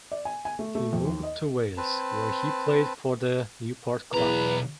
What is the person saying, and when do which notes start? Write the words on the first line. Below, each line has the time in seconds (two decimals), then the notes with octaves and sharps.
He moved to Wales where he played for the Newport club.
0.12 D5
0.25 G#5
0.45 G#5
0.59 A3
0.75 A3
0.93 F2
1.05 D#2
1.23 D#5
1.77 C4 B4 A5
4.14 B1 E2 B4 A#5